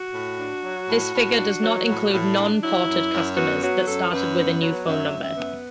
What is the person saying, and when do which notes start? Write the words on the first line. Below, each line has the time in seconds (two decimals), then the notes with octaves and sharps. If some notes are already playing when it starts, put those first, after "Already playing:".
This figure does not include "non-ported" customers that started with a new phone number.
Already playing: F#4
0.14 A2
0.38 D4
0.64 F#3
0.88 A2
1.13 A2
1.38 D4
1.62 F#3
1.88 A2
2.12 A2
2.38 D4
2.62 F#3 E4
2.88 F#2
3.12 F#2
3.37 B3 F#4
3.62 F#3 F#4
3.87 F#2 A4
4.11 F#2 B4
4.37 B3
4.61 F#3
4.87 F#2 E5
5.12 F#2
5.24 E5
5.36 B3